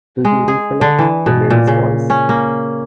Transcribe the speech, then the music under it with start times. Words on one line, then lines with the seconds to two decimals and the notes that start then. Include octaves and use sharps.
Do you recollect the lady's voice?
0.25 G#3
0.48 G#4
0.81 D3
0.99 E3
1.26 B2
1.50 A#2
1.67 C#3
2.10 C#4
2.29 A#3